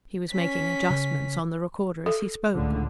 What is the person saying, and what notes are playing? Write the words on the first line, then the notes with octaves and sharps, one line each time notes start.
He was making adjustments on the recorder as he spoke.
C#4 B6
C#3
A4
C#2 A2 D3